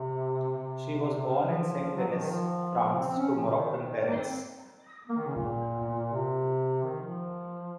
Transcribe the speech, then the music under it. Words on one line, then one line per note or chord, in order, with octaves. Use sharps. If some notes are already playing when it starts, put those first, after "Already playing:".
She was born in Saint-Denis, France, to Moroccan parents.
Already playing: C3
C3
C#3
F3
F#3
F3
D#3
F3
C4
C#4
F3
C#3
D#3
A#3
C4
A#3
D#3
C#3
A#2
C3
D#3
F3